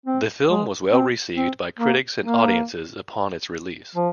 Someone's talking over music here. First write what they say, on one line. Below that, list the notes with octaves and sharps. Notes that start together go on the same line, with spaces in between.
The film was well received by critics and audiences upon its release.
C4
G#3
C4
C4
A#3
A#3
F3